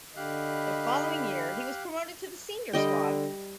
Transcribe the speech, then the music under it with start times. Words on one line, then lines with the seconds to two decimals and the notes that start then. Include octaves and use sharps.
The following year, he was promoted to the senior squad.
0.16 D3 G4 D#5 F5 B5 F#6
2.73 D3 G3 D#5 G5